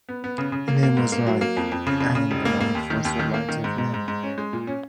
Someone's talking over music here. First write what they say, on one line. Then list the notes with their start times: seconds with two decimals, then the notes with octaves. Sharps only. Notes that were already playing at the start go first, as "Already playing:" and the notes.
In him was life, and the life was the light of men.
0.09 B3
0.24 B3
0.38 C#3
0.52 C#3
0.68 A#3
0.83 A#3
0.97 G#2
1.12 A#3
1.27 F#3
1.41 A#3
1.57 F2
1.72 F2
1.87 C#3
2.01 C#3
2.15 C#3
2.31 F1
2.45 A#3
2.60 A#3
2.75 D#2
2.90 D#3
3.05 D#2
3.19 D#3
3.34 A#3
3.49 D#3
3.64 G#2
3.78 G#2
3.94 G#2
4.08 G#2
4.23 C#4
4.38 G#3
4.53 A#2
4.67 C#4